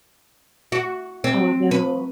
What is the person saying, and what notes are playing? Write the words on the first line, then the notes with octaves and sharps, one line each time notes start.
Oh, no.
F#4
C4
B4